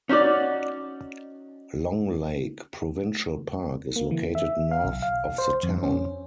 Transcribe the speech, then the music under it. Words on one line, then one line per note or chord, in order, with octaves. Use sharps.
Long Lake Provincial Park is located north of the town.
C#4 D#4 F#4 D5
A#3
E3
E5
F5
B1
F5
C5
F2
C#4